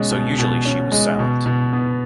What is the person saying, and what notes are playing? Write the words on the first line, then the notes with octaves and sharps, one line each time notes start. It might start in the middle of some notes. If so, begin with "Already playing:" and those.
So usually she was silent.
Already playing: B2 G#3 C#4
B2
B2
C#4
G#3
B2
B2
B3